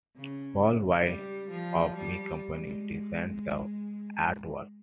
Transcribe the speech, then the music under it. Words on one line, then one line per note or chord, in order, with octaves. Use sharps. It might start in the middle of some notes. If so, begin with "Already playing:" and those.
Paul White of "Me Company" designed the artwork.
C#3
G3
F3
G3
G#3